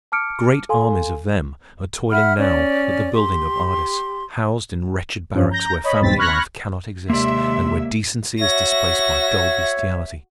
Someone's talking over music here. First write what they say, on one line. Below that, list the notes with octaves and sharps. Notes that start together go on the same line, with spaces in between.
Great armies of them are toiling now at the building of Ardis, housed in wretched barracks where family life cannot exist, and where decency is displaced by dull bestiality.
A5 D6 F6 C#7 D7
A4 F5 G#5 C6
E5 F#5 B5 F6
C#4 D5
G4 C6
G2 F3 C#4
A#5 G6 A#6
C#5 D#5 B5
B1 E2 G2 C4 A6 B6
B5 C#6 F6 F#6 G#6 A#6
D#2 C3 G#3 A#3 D5 E5 C6
F#4 C#5 E5 A#6